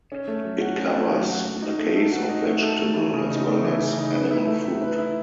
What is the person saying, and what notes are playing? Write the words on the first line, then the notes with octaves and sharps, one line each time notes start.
It covers the case of vegetable as well as animal food.
C#4
A3
F#3
F#4
C#4
A3
F#3
F#4
F#4
D#4
A3
A4
F#4
D#4
A3
A4
A3
E3
C#3
D#4
A3
E3
C#3
D#4
B4
E4
A3
E5
B4
E4